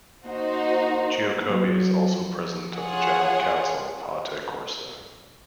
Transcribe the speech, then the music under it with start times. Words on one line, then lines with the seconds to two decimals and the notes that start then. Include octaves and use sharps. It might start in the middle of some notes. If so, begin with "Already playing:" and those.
Giacobbi is also President of the general council of Haute-Corse.
0.24 A#3 D#4 F#4 C5
1.50 F#3
2.13 F3
2.76 F4 G#4 C#5 F#5